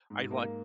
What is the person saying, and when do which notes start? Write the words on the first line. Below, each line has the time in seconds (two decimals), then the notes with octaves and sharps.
I'd watch
0.10 G#2
0.31 A#3